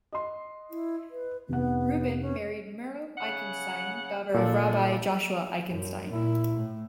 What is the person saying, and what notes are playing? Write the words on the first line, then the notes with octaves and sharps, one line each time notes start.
Rubin married Mirl Eichenstein, daughter of Rabbi Joshua Eichenstein.
D#5 C6
E4
B4
F1 B3 F#5
C#4
C#3 F#5
A#2 D4 A4
F#2
A#2 E4
A2